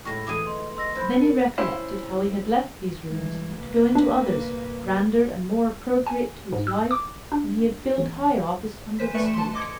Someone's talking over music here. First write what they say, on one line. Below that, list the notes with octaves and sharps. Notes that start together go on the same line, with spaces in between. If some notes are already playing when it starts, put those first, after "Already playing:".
And then he recollected how he had left these rooms to go into others, grander and more appropriate to his life when he had filled high office under the State.
A2 G#3 E4 C#6 A#6
E3 A3 G#4 D6 D#6 D#7
D#5 C6
D#5 C6 E6 A#6
E4 B4 C5
A#4 D5 C#7
C#4 E4 C5
E3 G3 G#3
C2 A#3 B4
D4
G1 C2
G#5
G#2
E6
D6
D4
A1
E3 B4 C5 B6
A3 B4 D5 E5 C#7 E7
A5 C6
D#5 D6 G#6 C#7